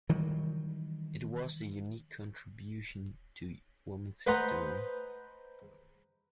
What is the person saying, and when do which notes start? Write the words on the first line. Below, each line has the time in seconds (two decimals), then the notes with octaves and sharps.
It was a unique contribution to women's history.
0.09 D#3 E3 F#3 G3
4.27 B4 C5 D#5 F#5 G#5 A#5